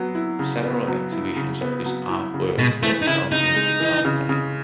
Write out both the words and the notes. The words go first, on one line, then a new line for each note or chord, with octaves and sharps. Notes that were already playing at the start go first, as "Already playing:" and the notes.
Several exhibitions of his artwork were held during his lifetime.
Already playing: F#3 B3
E4
C#3
B3
F#3
E4
C#3
B3
F#3
E4
C#3
B2 G#3
E3 A3
D#4
C#3 E4
C#3 D#4
G#3
E3
C#3
C#3